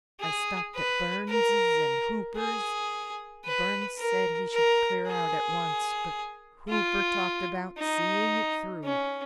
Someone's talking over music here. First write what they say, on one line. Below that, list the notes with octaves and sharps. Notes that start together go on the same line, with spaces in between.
I stopped at Burns' and Hooper's. Burns said he should clear out at once, but Hooper talked about seeing it through.
G#4
B4
A#4
G#4
B4
A#4
A#4
G#4
F4
D#4
C#4